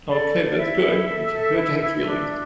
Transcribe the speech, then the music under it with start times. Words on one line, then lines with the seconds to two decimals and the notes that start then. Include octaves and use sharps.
Okay, that's good. That's good to have feelings.
0.09 A4 D5
0.34 A4
0.58 E4 E5
0.83 E4
1.08 A4
1.32 A4
1.57 E4
1.82 E4
2.08 D4